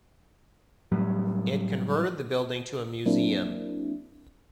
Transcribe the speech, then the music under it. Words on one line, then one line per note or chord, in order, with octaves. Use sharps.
It converted the building to a museum.
A2 F#3 G3
F#3 A#3 C4 D4 E4